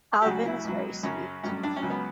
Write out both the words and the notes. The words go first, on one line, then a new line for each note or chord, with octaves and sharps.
Alvyn is very sweet.
G4
D2 C#3 F#3 F#4
E4
C#2 B2 F#3
F#2 C#3 F#3 C#4
A1 G2 F#3 C#4
D4
C#4
C#2 C#3 F#3
B3